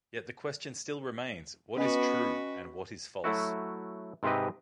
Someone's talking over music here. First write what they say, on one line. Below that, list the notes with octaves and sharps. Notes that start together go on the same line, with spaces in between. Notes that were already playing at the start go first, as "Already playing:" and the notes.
Yet the question still remains: What is true, and what is false?
B3 C#4 F#4 B4 D#5 G#5
F#3 A3 E4 F#4
G#2 C3 C4 G4 B4 D#5